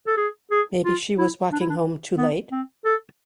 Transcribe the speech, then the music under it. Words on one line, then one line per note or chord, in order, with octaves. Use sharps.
Maybe she was walking home too late?
A4
G#4
G#4
F4
E4
D4
E4
D4
B3
C4
A4